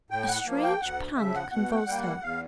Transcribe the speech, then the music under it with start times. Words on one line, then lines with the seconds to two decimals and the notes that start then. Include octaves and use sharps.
A strange pang convulsed her.
0.10 A2 G5
0.28 F#5
0.46 F3 A#3
0.63 G5
0.81 D2 F#5
1.16 C#3 F3 E5
1.34 F#5
1.51 B2 F#5
1.70 G5
1.75 F#5
1.86 G3 A#3 G5
1.98 F#5
2.22 E2 F5